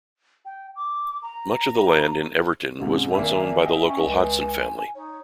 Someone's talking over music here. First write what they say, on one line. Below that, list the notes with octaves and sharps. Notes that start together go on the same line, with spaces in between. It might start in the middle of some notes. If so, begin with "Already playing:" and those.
Much of the land in Everton was once owned by the local Hodson family.
G5
D6
A#5
G#2 C3 G#3 C#4
D#3 A#3 D4 E5 G#5
D#5 E5 G5
C#4
C#2
D#4 C#5